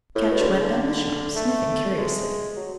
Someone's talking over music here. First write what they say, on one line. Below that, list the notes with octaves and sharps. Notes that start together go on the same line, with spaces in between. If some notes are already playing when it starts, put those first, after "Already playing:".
Ketch went down the shop, sniffing curiously.
A2
B2
D3
C#3
D3
A3
G#3
F#3